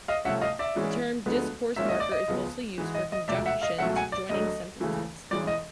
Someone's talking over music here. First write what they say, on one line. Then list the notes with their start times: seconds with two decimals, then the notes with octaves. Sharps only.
The term "discourse marker" is mostly used for conjunctions joining sentences.
0.08 D#5 F5
0.25 C2 C3 F3 A3 C#4 E5 F#5
0.42 D#5 F5
0.59 D5 E5
0.75 G#2 E3 G#3 C#4
1.26 D2 D3 F3 G#3 B3
1.76 G#1 G#2 F3 A#3 C#4 E5
1.88 D#5
2.00 D5
2.11 D#5
2.28 C#2 C#3 F3 G#3 B3
2.78 G#2 E3 G#3
2.95 D#5
3.12 D#5
3.28 E1 D2 C3 F3 D5 E5
3.46 E5 F#5
3.62 D#5 F5
3.78 C#2 B2 F#3 A3 C#4 E5 F#5
3.96 F#5 G#5
4.12 D5
4.29 D2 D3 F#3 D#5
4.80 C#2 C#3 E3 A3
5.31 G1 G2 E3 G#3 C#4 D5
5.47 D#5